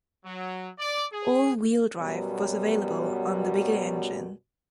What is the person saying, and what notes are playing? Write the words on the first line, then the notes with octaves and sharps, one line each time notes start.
All wheel drive was available on the bigger engine.
F#3
D5
G#4
F#2 B2 F#3 G3 B3